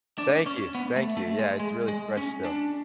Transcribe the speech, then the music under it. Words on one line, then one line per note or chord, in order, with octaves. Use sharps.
thank you, thank you. Yeah, it's really fresh still.
D4
C#4
B3
A3
A3
G#3
G#3
G#3
C#4
D4